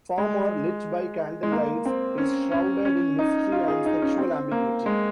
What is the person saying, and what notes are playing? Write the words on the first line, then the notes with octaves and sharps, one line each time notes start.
Farmer, lit by candlelights, is shrouded in mystery and sexual ambiguity.
G#3
G#3
A#3
C4
C#4
C#4
C#4
D#4
F4
G#4
D#4
C#4
C4
A#3
G#3